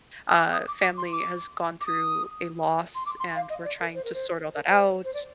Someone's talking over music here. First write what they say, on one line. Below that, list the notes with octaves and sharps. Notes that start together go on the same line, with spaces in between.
uh, family has gone through a loss, and we're trying to sort all that out.
D#6
D6
D#6
D6
D6
C6
D6
D6
D#6
C6
D6
C6
F5
D#5
D5
A#4
C5
A#4
C5
A#4
C5
C5
D5